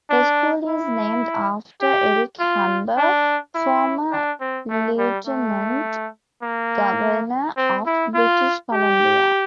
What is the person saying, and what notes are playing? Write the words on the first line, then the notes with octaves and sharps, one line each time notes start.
The school is named after Eric Hamber, former Lieutenant Governor of British Columbia.
D4
E4
G4
F4
D4
E4
D4
C4
A3
G3
A3
A#3
C4
E4
F4
G4